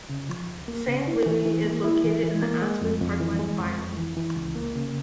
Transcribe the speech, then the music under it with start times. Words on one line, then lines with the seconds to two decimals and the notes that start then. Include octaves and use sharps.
Saint Louis is located in the aspen parkland biome.
0.09 C#3
0.29 F3
0.48 C#2
0.68 A#3
0.87 C#3
1.07 E4
1.26 E3
1.46 E3
1.64 A#3
1.84 E4
2.04 E3
2.24 E3
2.42 A#3
2.62 G#3
2.81 F2
3.01 F2
3.20 E3
3.39 G#3
3.59 F2
3.78 F2
3.97 E3
4.17 E3
4.36 C#2
4.55 A#3
4.75 C#3